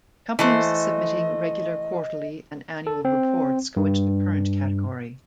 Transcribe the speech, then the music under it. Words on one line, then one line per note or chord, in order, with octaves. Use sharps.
Companies submitting regular Quarterly and Annual Reports go into the Current category.
E3 A3 C5 D#5
A4
C4
G2